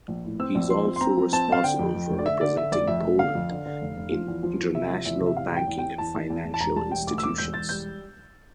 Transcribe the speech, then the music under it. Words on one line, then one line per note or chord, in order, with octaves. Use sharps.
He is also responsible for representing Poland in international banking and financial institutions.
A#1
A2
C4 E6
A#1
F3 C6
C4
C6
C4 A#5
F3
C4 A5
C4 F5
D3 G5
F2
F2
F1
D5
D3 E5
D3 D5
D3 E5
F1 D5
F2 E5
F1
D3 F5
F2
D3
D3
F1
F1
F3
E2
F3
E2
C3 E5
F3
E2 E5
C3
E5
E2 F5
E2 G5
E2
E2 G5
E2 A5
E2
E2
E2
A5
E1 A#5
G3 A5
E1 G5
D2 D6
E6
E1 D6
E1 G6
E1 A6
G3 G6